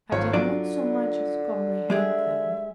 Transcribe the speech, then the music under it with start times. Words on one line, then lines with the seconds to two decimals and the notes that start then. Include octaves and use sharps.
I did not so much as comprehend them.
0.11 G#1 F3 C#5
0.33 D3 F#3 D4 F4 D5
1.90 G#3 G4 G#4 E5